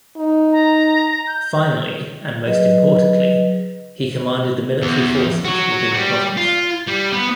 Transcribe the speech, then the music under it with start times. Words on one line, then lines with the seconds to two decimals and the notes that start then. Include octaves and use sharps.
Finally, and most importantly, he commanded the military forces within the province.
0.17 D#4
0.53 A#5
1.27 G6
2.46 F#3 G#4 B4 D#5
4.82 E2
5.45 F#4 C#5
5.94 G3
6.37 F4
6.87 G3
7.13 B3